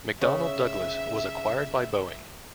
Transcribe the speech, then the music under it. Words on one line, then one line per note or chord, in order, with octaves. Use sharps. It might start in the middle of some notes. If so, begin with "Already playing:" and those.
McDonnell Douglas was acquired by Boeing.
C#3 E5